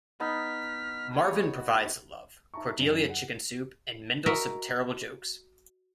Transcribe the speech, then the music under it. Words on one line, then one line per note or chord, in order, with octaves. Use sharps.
Marvin provides love, Cordelia chicken soup and Mendel some terrible jokes.
B3 D#4 F6 B6
G#4 C#5
F#4
D#4 E5 A5 A#5 C#6
F#2 D3 D#4 D5 D7 D#7
F#5
F#4 A#4 D#5 E5 A#5